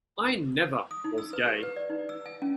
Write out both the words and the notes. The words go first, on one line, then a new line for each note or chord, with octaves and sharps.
I never was gay.
D#6
D#4
E6
B4
G4
B4
D5
D#4
E6
G#5
C#4